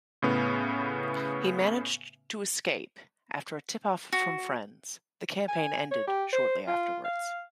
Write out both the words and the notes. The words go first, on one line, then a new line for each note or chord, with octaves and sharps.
He managed to escape after a tip-off from friends; the campaign ended shortly afterwards.
A2 C#3 B3
F#4
G#5
C#5
G4
C5
F4
F5